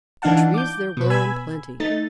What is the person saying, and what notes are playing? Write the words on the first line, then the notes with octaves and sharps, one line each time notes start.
But Trees there were in plenty.
E3 D4 D#4 F5 F#5 A5
D6 G6
B2 B4
G#5 B5 E6 G#6
A3 D#4 A6